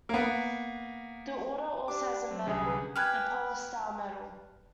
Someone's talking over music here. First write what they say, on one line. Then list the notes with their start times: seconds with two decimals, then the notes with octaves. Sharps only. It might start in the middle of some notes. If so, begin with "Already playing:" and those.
This order also has a medal, "the Polar Star Medal".
0.09 A#3 B3
1.88 D4 G4 D6
2.31 F#3 C4
2.47 C2 D3 F#3 C#4 G#4
2.66 B4
2.96 G4 B4 G#5 F6 F#6 G#6